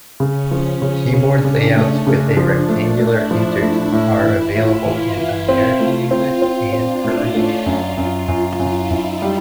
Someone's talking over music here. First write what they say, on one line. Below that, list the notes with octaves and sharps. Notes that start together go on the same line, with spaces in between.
Keyboard layouts with a rectangular Enter key are available in American English and Korean.
C#3 C#4
F3
C#3
C#3 D4
C#3
A3
C#3
F3
A3
A3 E4
F3
A3
A2 E4
E3
F4
A2
E3
E3
C4
A3
C4
C4
C4 D4
A2
C#4
A3
F#2 F4
F#2
F4
F#2
F#2 E4
F#2 D#4
G3